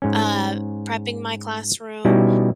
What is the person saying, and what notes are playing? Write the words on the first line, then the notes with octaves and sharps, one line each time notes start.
uh, prepping my classroom,
G#2 C#4
B2 G3 C#4 D#4 E4